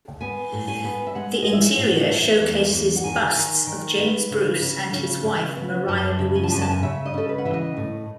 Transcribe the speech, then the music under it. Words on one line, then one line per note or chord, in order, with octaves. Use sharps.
The interior showcases busts of James Bruce and his wife, Maria Louisa.
B3 G#5
A2
G#5
B3
E5
G#3 F#5
G#3 D#5
E5
F#5
A2
E2 E5
E2
E2
F#5
D#3 G#5
D#3
D#3
B3
C#3
C#3
C#3
C#3
B3
F#2 A5
C#3
G#5
A5
F#2 G#5
A5
G#5
C#3 E5
D#5
C#3 A4
B4
F#5
E3 E5
D#5
A2